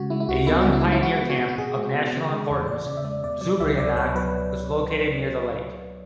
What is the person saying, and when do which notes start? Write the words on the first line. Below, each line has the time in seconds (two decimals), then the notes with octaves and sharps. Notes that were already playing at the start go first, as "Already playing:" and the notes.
A Young Pioneer camp of national importance "Zubryonok" was located near the lake.
Already playing: C#3 G#3 F#4
0.10 G#3 E4
0.20 E4
0.28 C#2 F#4
0.47 B3 E4
0.61 C#3 F#4
0.73 E4
0.84 G#3
0.92 E4
1.03 G#3 F#4
1.22 B3
1.30 F#4
1.39 B2
1.49 F#4
1.58 B2 G#4
1.76 G#3
1.95 B3
2.12 C#3
2.32 G#3
2.50 E2
2.68 E2 D5
2.86 C#3 D5
2.97 E5
3.04 G#3 D5
3.23 B2 D5
3.41 F#3 D5
3.60 C#2 E5
3.78 C#2 D5
3.97 B2 C#5
4.15 F#3 B4